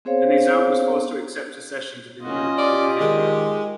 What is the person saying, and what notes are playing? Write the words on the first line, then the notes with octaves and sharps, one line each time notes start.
The Nizam was forced to accept accession to the new Republic of India.
B3 C4 G#4 C5 C#5 F5
F#1 C#4 F4 F#4 D#5
G4 D5
D#3 G#3